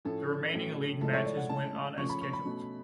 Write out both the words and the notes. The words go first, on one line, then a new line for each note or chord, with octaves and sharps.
The remaining league matches went on as scheduled.
A2 F3 A3 C#4 A4
A2 F#3 C#4
A2 F3 G#3 A4
C#5
D5
F#5
A2 G#3 C#4 A5
C#3 F3 A3 C#4 C#6
B5
C#6
B5
B2 A3 C#4